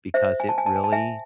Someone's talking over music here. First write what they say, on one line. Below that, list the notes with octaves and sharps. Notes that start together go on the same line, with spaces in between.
"because it really"
C5 E5
G#5
A5
G#5
A5
G#5
A5
E5 G#5